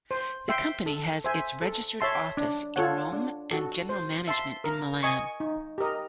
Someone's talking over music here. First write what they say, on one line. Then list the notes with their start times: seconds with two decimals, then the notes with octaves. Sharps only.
The company has its registered office in Rome and general management in Milan.
0.11 C5
0.49 E5 G5 C6
0.86 A4
1.24 C5 E5 G#5
1.62 A4
2.01 C#5 E5 A5 C6
2.37 D4
2.76 F4 A4 C#5 F#5
3.13 D4
3.51 F#4 A4
3.89 C5
4.28 E5 A5 C6
4.64 A#4
5.03 D#5 G#5 C#6
5.40 D#4
5.78 G4 A#4 D#5